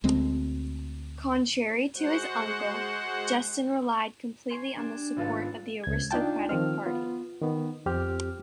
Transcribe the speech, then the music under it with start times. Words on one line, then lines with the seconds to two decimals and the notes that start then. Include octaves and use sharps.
Contrary to his uncle, Justin relied completely on the support of the aristocratic party.
0.04 D2 G#3 C4
1.96 G#3 F#4 C5 F#5
4.50 G#5 C6 C#6 G#6
4.76 D4 G4 G#5 D7 E7
5.16 G#1 B3 F4 A4 F5 A5
5.84 C#2 G#6
6.11 D4 D#4 F4 G5 A5
6.49 D#3 F3 C4 F6
6.86 B3 F4
7.42 D#3 B3
7.86 F2 C4 G4 F6